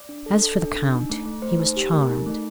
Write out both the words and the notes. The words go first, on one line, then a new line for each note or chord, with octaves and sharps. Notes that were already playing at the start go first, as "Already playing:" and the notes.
As for the Count, he was charmed.
Already playing: D5
D4
A4
A4
D4
D4
D#4
A3
A3
A3 C5
D#4
G4
A3 A#4
D#4
A3